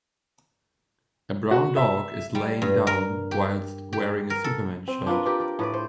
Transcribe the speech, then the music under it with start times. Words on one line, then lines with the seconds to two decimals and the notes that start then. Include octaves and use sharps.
A brown dog is laying down whilst wearing a superman shirt.
1.51 F#4
1.76 E5
2.35 G3
2.62 G2
2.87 A#4
3.31 G4
3.93 G4
4.30 A#4
4.44 A4
4.88 C4
5.07 D4 F4 A#4 B4
5.25 G4 A#4 B4 D5
5.40 A#4 D5
5.59 A2 B4 D5
5.74 C5